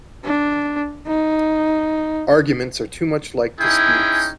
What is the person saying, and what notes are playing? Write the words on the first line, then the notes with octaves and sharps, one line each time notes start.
Arguments are too much like disputes.
D4
D#4
C#4 D#4 E4 G#4 G5